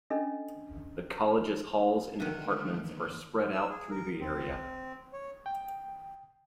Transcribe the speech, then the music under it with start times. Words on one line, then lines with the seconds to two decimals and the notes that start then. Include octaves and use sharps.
The college's halls and departments are spread out through the area.
0.10 C#4 D4 A4 D#5
2.20 D3 D#3 E5 G5
2.46 G#3 A3
2.84 E3 A#3
3.52 E6
3.70 G#4
3.91 A#4
4.21 C4
5.13 C#5
5.46 G5